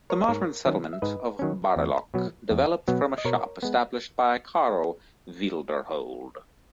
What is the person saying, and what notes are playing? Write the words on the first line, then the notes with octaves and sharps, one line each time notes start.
The modern settlement of Bariloche developed from a shop established by Carlos Wiederhold.
A#4 C#5
D#5
G#2 A#4 C#5
D#3 F#3 C#4
E5
G#2 B4 D#5
D#3 F#3 C#4
E2
B2 F#3 B3
E2
B2 F#3 B3
D#5
B2 A#4 C#5
G#3 B3